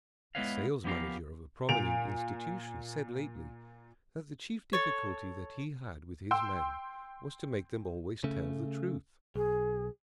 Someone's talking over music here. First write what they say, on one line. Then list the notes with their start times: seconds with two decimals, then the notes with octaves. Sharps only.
A sales manager of a prominent institution said lately that the chief difficulty that he had with his men was to make them always tell the truth.
0.35 G#3 B3 E4 B4 C#5 F5
0.84 F3 B3 C#4 G4 A#4 F5
1.69 A#2 D7 F7
4.73 A4 C#5
6.31 G5 C6 E6
8.24 C#3 A3
9.36 B1 G#4